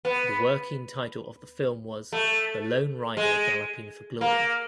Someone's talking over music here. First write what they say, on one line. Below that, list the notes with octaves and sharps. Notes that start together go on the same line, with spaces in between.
The working title of the film was "The Lone Rider Galloping for Glory".
B3
A3
G#3
A#3